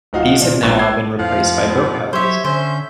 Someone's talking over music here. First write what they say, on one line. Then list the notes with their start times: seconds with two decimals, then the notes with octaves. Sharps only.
These have now all been replaced by boat houses.
0.13 D1 F3 D#4 F#4 F5
0.41 A#2 D4
0.62 A#1 G#2 B3 C#6 F#6
0.79 D6 E6 G#6 C7
1.19 F2 F3 A3 F5
1.68 B3
2.13 F#3 G4 C5 C#5 E5
2.45 D3 C#4 C5 E5 G6